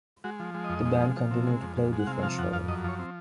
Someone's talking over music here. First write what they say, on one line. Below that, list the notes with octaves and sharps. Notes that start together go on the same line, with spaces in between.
The band continue to play different shows.
G#3 F#4
F3
G#3
D#5
F2
G#3
F3
F3
C3
G#3
F2
G#3
G#3
F#5
C3 F5
F3 F5
F2 F#5
F2 F5
F#2 D#5
F3 C#5
C4